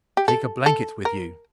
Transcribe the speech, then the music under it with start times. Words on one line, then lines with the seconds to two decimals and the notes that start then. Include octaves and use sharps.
"Take a blanket with you."
0.17 G4
0.28 A4
0.66 A4
1.05 A#4